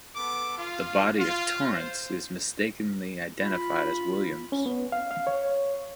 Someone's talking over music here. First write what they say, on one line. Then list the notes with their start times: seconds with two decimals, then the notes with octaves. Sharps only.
The body of Torrance is mistakenly identified as Williams.
0.16 B3 A4 D6
0.58 F4
1.19 F4
1.72 C5
3.42 F4 B5
4.52 C#4
4.66 B3
4.92 F5
5.11 F5
5.27 C#5